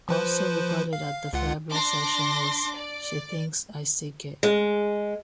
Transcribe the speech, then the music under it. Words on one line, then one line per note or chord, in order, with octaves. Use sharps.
Also recorded at the February session was "She Thinks I Still Care".
F3 B4 C5
F5
C#2 F4 F#5
D4 C6 D6 A#6
D5
G#3